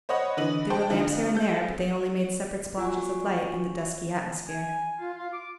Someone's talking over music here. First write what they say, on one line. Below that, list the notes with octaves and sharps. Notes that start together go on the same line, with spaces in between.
There were lamps here and there, but they only made separate splotches of light in the dusky atmosphere.
C5 C#5 D#5 F#5 B5
D3 E3 B4 D#5 F#7
C5 G5 A5 C6
D3 F3 D#4
A4 G6
F4 F#4 F#5 G#5 C#6
G#5
F4
F4
D6